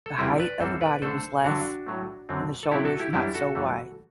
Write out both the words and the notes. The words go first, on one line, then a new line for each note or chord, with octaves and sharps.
The height of the body was less, and the shoulders not so wide.
A4
E2 C3 G3 C4 E4 G4
B4 D5
F#2 E3 G3 C4 A4 C5
B4 D5
D3 A3 D4 A4 C5
G2 D3 F#3 D4 F#4
A2 F#3 A3
F#2 D3 F#3 C4
A4
C3 F#3 C4 E4 G4
F#4 A4
E4 G4
F#2 E3 G3 D4 E4 G4
F#4 A4
F#2 E3 A3